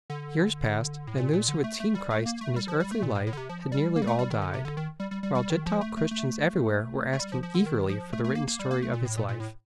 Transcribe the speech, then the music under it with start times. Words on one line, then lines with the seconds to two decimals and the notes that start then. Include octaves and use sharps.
Years passed, and those who had seen Christ in His earthly life had nearly all died, while Gentile Christians everywhere were asking eagerly for the written story of His life.
0.10 D3
1.07 A2
1.18 A#2
1.33 A#2
1.48 D3
1.64 A3
1.80 A3
1.95 G3
2.11 A3
2.26 A#3
2.41 A3
2.56 G3
2.68 F3
2.80 G3
2.92 A3
3.02 A#2
3.15 A2
3.27 A2
3.33 D3
3.37 C3
3.49 F3
3.72 G3
3.96 A#3
4.02 G3
4.07 A3
4.19 G3
4.30 D#3
4.42 D3
4.54 C3
4.65 D3
4.77 D#3
5.00 G3
5.11 G3
5.23 G3
5.35 G3
5.50 D#3
5.66 F3
5.81 A3
5.97 A3
6.11 A3
7.13 A3
7.19 G3
7.32 F3
7.43 F3
7.54 D3
7.66 D#3
7.90 F3
8.13 A3
8.24 A3
8.35 A#3
8.47 A#3
8.59 G3
8.71 A#3
8.82 A3
8.93 A#2
9.05 A2
9.17 A#2
9.29 A#2
9.40 A2